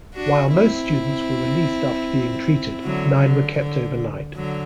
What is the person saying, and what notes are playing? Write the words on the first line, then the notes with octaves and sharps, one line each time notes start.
While most students were released after being treated, nine were kept overnight.
D4 F#4
C4 E4
D3 F#3
D3
D3
D3 F#3